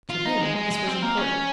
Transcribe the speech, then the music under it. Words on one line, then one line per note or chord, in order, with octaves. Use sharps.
To him this was important.
F4
D#4
G#3
G#3
G#3
C4
A#3
C#4